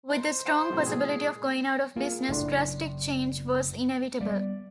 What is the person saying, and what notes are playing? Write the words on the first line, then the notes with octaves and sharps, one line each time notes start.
With the strong possibility of going out of business, drastic change was inevitable.
D#4 C5
C5 F#5 G5
A2 C3 E3 F#3 C#4
A#2 G#3 G#4
A#3 F4 G#4 A#4
F#1 A2 D4 C6
G3 A#3 B3 D5